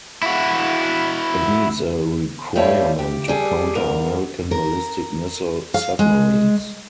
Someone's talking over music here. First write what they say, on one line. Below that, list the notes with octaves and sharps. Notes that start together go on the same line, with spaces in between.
It meets a requirement to counter American ballistic missile submarines.
E4 F#4
G3 A3 E4 C#5 F5
G4
G3 G#4 A4
E2 G2 A#4
A#4
F5
G#3